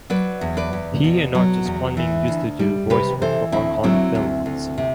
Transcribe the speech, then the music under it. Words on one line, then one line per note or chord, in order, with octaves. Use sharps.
He and artist Quang Minh used to do voice work for Hong Kong films.
F#3 B4 D5
E2
B4 D5
E2
B2
F#3
E2
E3
D2
G3
C3 G4 B4
E3 A4 C5
D2 C4 E4
F#3 C4 E4
D2
D2
C3